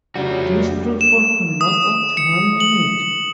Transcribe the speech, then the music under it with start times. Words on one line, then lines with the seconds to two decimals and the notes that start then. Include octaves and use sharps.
This freefall can last up to one minute.
0.15 F2 C#3 F#3 G3 D4 F#4
1.01 E7
1.61 D#6
2.17 C#7
2.60 F#7